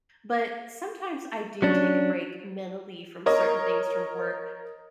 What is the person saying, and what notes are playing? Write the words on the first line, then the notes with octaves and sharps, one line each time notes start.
But sometimes I do take a break mentally from certain things from work,
F#3 C#4 D4
A#4 C#5 D#5